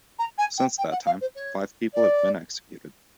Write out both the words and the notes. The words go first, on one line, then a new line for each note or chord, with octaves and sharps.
Since that time, five people have been executed.
A#5
G#5
G5
G5
F#5
F5
C5
C#5
D5